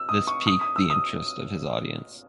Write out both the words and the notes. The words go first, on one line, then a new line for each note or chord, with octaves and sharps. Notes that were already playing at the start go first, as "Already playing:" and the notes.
This piqued the interest of his audience.
Already playing: E6
D#6
C#6
D#6
D#6
E6
D#6